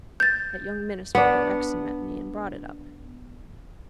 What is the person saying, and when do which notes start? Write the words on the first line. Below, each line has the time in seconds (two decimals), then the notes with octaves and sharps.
That young minister up at Rexton met me and brought it up.
0.20 G6 A6
1.15 B3 D4